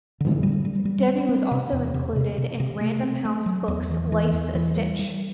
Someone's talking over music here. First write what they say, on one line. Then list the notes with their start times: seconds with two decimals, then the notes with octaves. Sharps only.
Debi was also included in Random House books' Life's a Stitch.
0.21 D3
0.43 G3
0.65 G3
0.85 G3
1.08 C4
1.29 C4
1.51 C3
1.73 E2
1.94 C3
2.16 C3
2.38 C3
2.60 C3
2.81 A3
3.03 C4
3.25 A3
3.46 F#3
3.68 E2
3.90 E3
4.12 E3
4.33 E2
4.55 E3
4.76 G3
4.99 G3